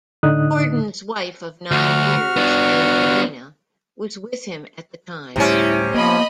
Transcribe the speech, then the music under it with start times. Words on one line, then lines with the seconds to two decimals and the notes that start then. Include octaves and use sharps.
Corden's wife of nine years, Angelina, was with him at the time.
0.23 A2 D3 D#4 D#6 F#6
1.71 D2 F#4 F6
2.36 B3 D4
5.36 D2 A2 C3 G3 C#4 E4
5.94 F3 A#3 B3 D#5 B5